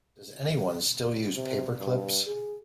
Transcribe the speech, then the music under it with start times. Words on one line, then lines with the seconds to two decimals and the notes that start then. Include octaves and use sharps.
Does anyone still use paper clips?
1.36 C3
1.78 G2
2.27 G#4